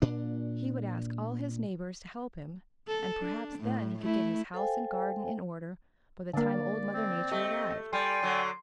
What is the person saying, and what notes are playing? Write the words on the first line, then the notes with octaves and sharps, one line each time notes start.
He would ask all his neighbors to help him, and perhaps then he could get his house and garden in order by the time Old Mother Nature arrived.
A#2 D4
A4
D4
A2
A3 E4
A4 C5 F5 G5 G#5
D3 A#3 D5
C4
A3 G4 D#5
G3 D5 G5 G#5 C6
D3 F#3